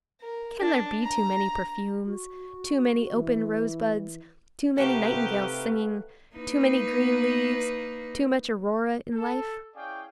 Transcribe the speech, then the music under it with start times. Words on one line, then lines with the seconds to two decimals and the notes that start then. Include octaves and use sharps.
Can there be too many perfumes, too many open rose-buds, too many nightingales singing, too many green leaves, too much aurora in life?
0.21 A#4
0.61 D4
1.03 A#5
2.06 F#4
3.15 E3
4.78 C3 A3 D#4 F#4 G4 B4 F5 F#5
6.36 A#3 D#4 B4
9.14 A4
9.76 C#4 E4 G#4 D5 F5 G5